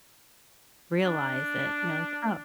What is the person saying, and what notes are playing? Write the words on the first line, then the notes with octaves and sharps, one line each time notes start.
realize it, you know, like, "Oh"
D4